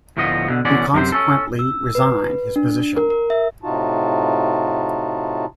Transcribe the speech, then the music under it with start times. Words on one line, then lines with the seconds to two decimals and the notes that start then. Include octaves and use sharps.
He consequently resigned his position.
0.17 D2 A2 F3 B3 D#5
0.50 B2 D3
0.65 B2 D3 E3 C#4 D5
0.94 F#2 C3 A#4 C5
1.12 C#4 A4
1.59 E6
1.95 B4
2.56 D4
2.97 A#4
3.10 A#4
3.30 E5
3.63 A2 C3 D#4 F4 F#4 A5